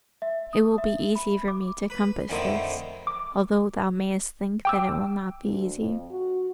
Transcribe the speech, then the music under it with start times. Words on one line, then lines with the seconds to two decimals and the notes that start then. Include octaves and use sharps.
"It will be easy for me to compass this, although thou mayest think that it will not be easy."
0.22 E5
0.53 D#6
0.78 E5
1.16 B5
1.48 D6
1.90 B4
2.29 F2 A2 D3 D#3 A3 C4
3.07 D6
4.65 G5 D6 E6
5.43 D2
5.78 F2
6.11 F#4